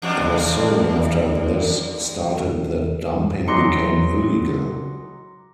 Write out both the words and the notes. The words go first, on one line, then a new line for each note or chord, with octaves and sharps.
It was soon after this started that dumping became illegal.
E2 G2 D4
E3 F#3 D#4 A#5 C6 D6 A#6 C#7